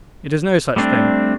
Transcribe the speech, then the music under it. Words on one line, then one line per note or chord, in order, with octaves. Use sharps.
It is no such thing.
G3 A3 C4 D4